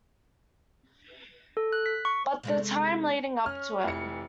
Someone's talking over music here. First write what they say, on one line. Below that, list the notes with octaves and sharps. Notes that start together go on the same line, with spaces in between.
But the time leading up to it.
A4
F#6
B6
C#6
C3 G#3 A3
C#4 F6
F1 E3 C#7